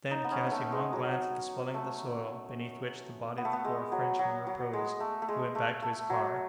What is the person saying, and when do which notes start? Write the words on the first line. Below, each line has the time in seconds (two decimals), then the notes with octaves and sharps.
Then, casting one glance at the swelling of the soil, beneath which the body of the poor Frenchman reposed, he went back to his car.
0.11 D#4
0.24 B3
0.31 C#4
0.47 A3 B3
0.72 G#3
0.93 F#3
1.74 A3
3.38 B3
3.45 A3
3.53 B3
3.65 G#3
3.92 F#3
4.19 F#3
4.47 F#3
4.73 G#3
5.00 A3
5.22 A3
5.28 G#3
5.55 A3
5.82 A3
6.10 F#3